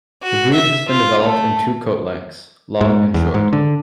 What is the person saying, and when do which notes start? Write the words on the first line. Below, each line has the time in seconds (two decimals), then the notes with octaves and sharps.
The breed has been developed in two coat lengths, long and short.
0.23 F#4
0.55 E5
0.90 F4
1.24 A3
2.81 G#2
3.14 E2
3.34 G#2
3.53 D3